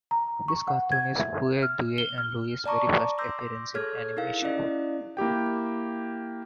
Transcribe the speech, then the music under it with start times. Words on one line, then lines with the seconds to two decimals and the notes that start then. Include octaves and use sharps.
This cartoon is Huey, Dewey, and Louie's very first appearance in animation.
0.11 A#5
0.48 C#6
0.68 F#5
0.92 G#6
1.19 E5
1.63 F6
1.98 G7
2.18 F6
2.66 D5 A5 A#5 C#6 D6
3.18 C6 D6 E6 G6 A#6
3.74 G#4 A4 C#5 F6 G#6
4.17 D#4 E4 A#4 F5
4.42 C#4 E4 G4 D5 D#5
5.17 A#3 E4 G4 G5